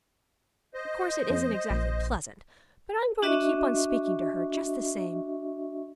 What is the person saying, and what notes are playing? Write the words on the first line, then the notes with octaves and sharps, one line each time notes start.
Of course it isn't exactly pleasant, but I'm going to keep on speaking to her, just the same.
C5 D#5
F2
A#1
D4 F#4 D#5 E5 C#6